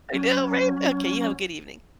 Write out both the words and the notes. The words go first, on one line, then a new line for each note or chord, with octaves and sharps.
I know, right? Okay, you have a good evening.
F#3 C#4